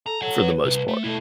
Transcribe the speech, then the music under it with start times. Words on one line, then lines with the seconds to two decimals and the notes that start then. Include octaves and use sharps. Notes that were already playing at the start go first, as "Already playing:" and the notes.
for the most part.
0.06 A4 A#5
0.22 A4 C#5 F#5
0.40 B4
0.65 C2
0.88 A3
1.04 B2 A3 E4